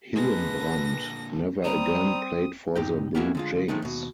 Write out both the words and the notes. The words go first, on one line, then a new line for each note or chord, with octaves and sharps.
Hillenbrand never again played for the Blue Jays.
A#2 D3 G#3 B4 A#6
G3 C4 A#5 D#6
B1 G2 D#4 G4 G5
A#3 B3 C#4 E4 F#4 G#4
D3 G#3 F4
D#3 F3 G#3 A3 D#4
D#2 B2